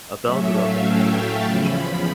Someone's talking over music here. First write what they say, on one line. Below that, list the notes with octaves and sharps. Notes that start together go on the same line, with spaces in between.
Abell grew up in Maryland and Virginia.
A2 F#3 A3 C#4 E5
F5
G5
A5
E2 C#3 F3 B5